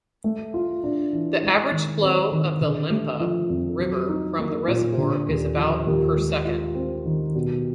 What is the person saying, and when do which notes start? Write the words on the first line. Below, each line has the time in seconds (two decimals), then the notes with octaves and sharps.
The average flow of the Lempa River from the reservoir is about per second.
0.24 A3
0.54 F4
0.83 D4
1.13 E3
1.43 G#3
1.72 D#3
2.02 C4
2.32 D#3
2.61 D3
2.90 A3
3.20 F3
3.50 F2
3.80 F#3
4.08 D#4
4.39 A#3
4.68 A#2
4.98 D3
5.28 D#2
5.57 F3
5.87 D#2
6.16 G#3
6.45 F4
6.75 C4
7.05 D#3
7.35 B2